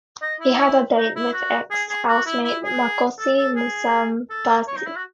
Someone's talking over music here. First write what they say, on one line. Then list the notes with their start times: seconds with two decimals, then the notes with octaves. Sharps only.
He had a date with ex housemate Makosi Musambasi.
0.22 D#5
0.40 E4
0.97 D#4
1.16 E4
1.33 F#4
1.71 G#4
1.90 G#4
2.08 F#4
2.26 E4
2.44 E4
2.63 G#4
3.19 A4
3.37 A4
3.56 G#4
4.30 A4
4.67 C#5
4.77 D#4
4.87 E4
4.96 F#4